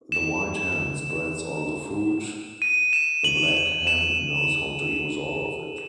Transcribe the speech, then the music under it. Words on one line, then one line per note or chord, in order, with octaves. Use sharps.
The white hen spreads all the food, the black hen knows how to use all of it.
E7
D#7
E7
F#7
E7